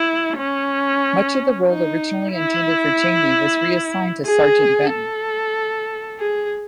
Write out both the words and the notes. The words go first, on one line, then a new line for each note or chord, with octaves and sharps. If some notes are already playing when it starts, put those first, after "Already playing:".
Much of the role originally intended for Jamie was reassigned to Sergeant Benton.
Already playing: E4
C#4
D#4
E4
G#4
A4
G#4